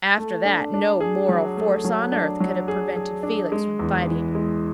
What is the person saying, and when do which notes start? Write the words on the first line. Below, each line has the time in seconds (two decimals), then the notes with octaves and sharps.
After that, no moral force on earth could have prevented Felix from fighting.
0.18 A3
0.45 D4
0.74 D4
1.01 G#4
1.29 F#3
1.57 A3
1.85 F#3
2.12 D4
2.40 F#3
2.68 G#4
2.96 G#4
3.23 D4
3.52 G#3
3.79 E2
4.07 E3
4.35 G#3